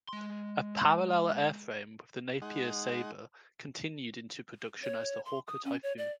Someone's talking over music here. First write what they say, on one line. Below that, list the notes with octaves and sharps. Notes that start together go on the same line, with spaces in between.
A parallel airframe with the Napier Sabre continued into production as the Hawker Typhoon.
G#3 C6
G#3 D#4 F#5
C#5
C6
D#6
C#4
C#5
D5